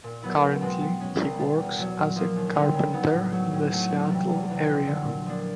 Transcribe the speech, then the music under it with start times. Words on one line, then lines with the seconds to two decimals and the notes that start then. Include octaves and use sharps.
Currently, he works as a carpenter in the Seattle area.
0.04 A#2
0.22 F#3 B3 E4
0.42 C#2
0.61 B2 G#3 C4
0.81 B2
1.00 G#3 C#4
1.19 C2
1.38 B2 G3
1.58 E2
1.77 B2 F#3
1.97 A#2
2.16 F3 A#3
2.36 D#2
2.55 D3 G3 C4 D#4
2.74 C#3
2.93 F#3 B3 D#4
3.13 A2
3.32 F#3 A3
3.51 A2
3.71 F#3 A3
3.90 D2
4.09 C3 E3 G3
4.29 E2
4.48 C3 E3 G3
4.67 F2
4.87 D3 F#3
5.06 A#2
5.26 F3 A#3 D4